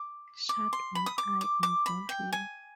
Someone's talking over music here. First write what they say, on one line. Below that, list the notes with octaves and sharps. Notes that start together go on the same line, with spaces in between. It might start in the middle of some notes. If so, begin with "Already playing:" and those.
Shut one eye, and don't leave.
Already playing: D6
D6
C6
B5
D#6
D6
D6
D6
B5
G5
G#5